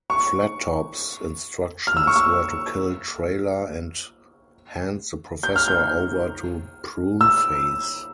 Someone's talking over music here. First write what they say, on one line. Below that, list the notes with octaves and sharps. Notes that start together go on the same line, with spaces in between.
Flattop's instructions were to kill Trailer and hand the Professor over to Pruneface.
C#6
F6
E6
C#6
E6
G6
F6
G6
E6